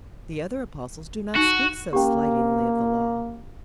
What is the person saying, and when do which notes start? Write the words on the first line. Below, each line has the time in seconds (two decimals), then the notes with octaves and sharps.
The other apostles do not speak so slightingly of the Law.
1.36 D#4 F#4
1.93 A#3 C#4 G4